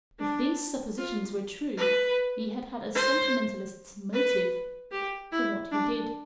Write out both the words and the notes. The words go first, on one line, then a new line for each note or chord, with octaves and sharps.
If these suppositions were true, he had had a sentimentalist's motive for what he did.
D4
F4
B4
C5
B4
G4
E4
D4